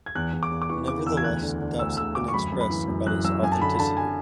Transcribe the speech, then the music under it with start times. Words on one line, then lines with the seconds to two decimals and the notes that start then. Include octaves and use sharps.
Nevertheless, doubts have been expressed about its authenticity.
0.06 G#6
0.15 E2 F#6
0.33 E2
0.43 D6
0.51 E2
0.62 D6
0.70 E3 C#6
0.88 C#3 D6
1.06 E2 E6
1.17 G#6
1.24 D2 F#6
1.43 D3
1.61 D3
1.79 D2 E6
1.97 D2 E6
2.15 D2 D6
2.28 C#6
2.34 F#2 B5
2.52 F#2
2.61 B5
2.70 E3
2.88 F#2
3.07 F#2 F#6
3.24 F#2 E6
3.43 F#2 G#5
3.52 A5
3.61 D3 B5
3.75 B5
3.79 D3 A5
3.97 G#5